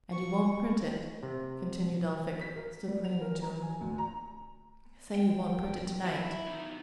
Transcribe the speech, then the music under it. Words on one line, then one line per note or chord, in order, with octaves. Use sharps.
"And you won't print it?" continued Elphick, still clinging to him. "Say you won't print it tonight?"
C#6
C3
B6
A#4
G3
F7
A#4
A#5
G#5
D2
A#5
G5
E4
B3 D#4